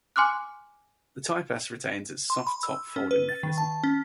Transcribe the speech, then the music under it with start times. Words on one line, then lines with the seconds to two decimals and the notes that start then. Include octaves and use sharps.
The Type S retains its soft top folding mechanism.
0.16 G#5 C6 D6 F6 F#6
2.30 C6
2.47 B5
2.63 E6
2.96 C#4
3.11 B4
3.29 A6
3.43 D#3
3.58 A5
3.84 C#4